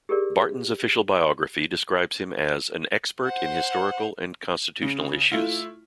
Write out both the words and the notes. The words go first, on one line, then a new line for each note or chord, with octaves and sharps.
Barton's official biography describes him as "an expert in historical and constitutional issues".
G4 G#4 A#4 D5
C5 F#5
C#3
A3 E4 F4